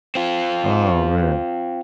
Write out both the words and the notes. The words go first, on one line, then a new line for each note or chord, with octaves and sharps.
Oh, man.
C4 F4